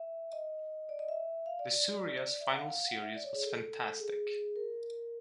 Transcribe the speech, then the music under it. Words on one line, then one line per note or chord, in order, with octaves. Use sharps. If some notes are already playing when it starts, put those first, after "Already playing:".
Licuria's final series was fantastic.
Already playing: E5
D#5
D5
D#5
E5
F5
D5
D5
D5
E5
F#5
F5
F#5
E5
D5
C#5
G#4
A4
G#4
A#4